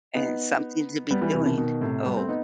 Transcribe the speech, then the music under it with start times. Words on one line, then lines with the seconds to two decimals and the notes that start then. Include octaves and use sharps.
and something to be doing oh.
0.15 B3 D#4
1.11 G3 B3
1.22 E3 G3
1.33 C3 E3
1.45 B2 D#3
1.58 B2 D#3
1.81 A2 C3
2.06 G3 B3
2.17 A3 C4
2.29 B3 D#4